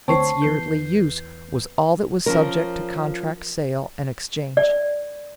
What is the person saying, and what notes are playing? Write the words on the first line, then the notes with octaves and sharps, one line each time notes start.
Its yearly use was all that was subject to contract, sale, and exchange.
D2 C4 C#5 A5 C#6 C7
E2 B4 G6 C7
F3 C#4 A#4
D5